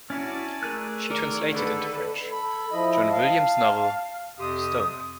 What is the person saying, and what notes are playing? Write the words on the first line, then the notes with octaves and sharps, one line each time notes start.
She has also translated into French John William's novel "Stoner".
C#4 E4 F#4 D5 G#5 A5
A3 G#4 A#4 F#6
D#3 A4 A#4 D5
D3 A4 B4
A4 B5
F3 E4 D#5
F5 A5
F2 C3 G4 C6 D#6